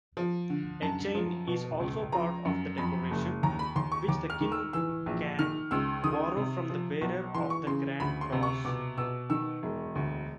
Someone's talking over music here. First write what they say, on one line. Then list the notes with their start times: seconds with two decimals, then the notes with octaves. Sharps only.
A chain is also part of the decoration, which the King can borrow from the bearer of the Grand Cross.
0.17 F3
0.50 D3
0.82 F#2 A5
1.15 F3
1.47 B2
1.80 C#2
2.12 F3 A#5
2.45 F#2
2.78 F2 B5
3.11 F#1
3.43 D#2 A#5
3.59 B5
3.76 D#2 C6
3.92 C#6
4.08 D#2 D6
4.30 F6
4.41 D#3
4.52 E6
4.73 E3 E6
5.06 A#1
5.39 D#3 F6
5.71 C#2 E6
6.04 D#3 D#6
6.37 C3
6.70 F3
7.01 B1
7.34 E3 C6
7.50 C#6
7.67 C#3 C6
8.00 D2 B5
8.21 C6
8.32 C3
8.43 C#6
8.65 B2 D6
8.97 B2 E6
9.30 D#3 E6
9.63 E1
9.95 D2